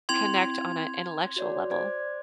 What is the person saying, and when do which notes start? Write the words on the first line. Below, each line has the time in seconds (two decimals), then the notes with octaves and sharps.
connect on a intellectual level.
0.09 C4 E4 G5 C6 G#6 F7
1.36 F#4 C#5 D5
1.70 C5 D5 G#6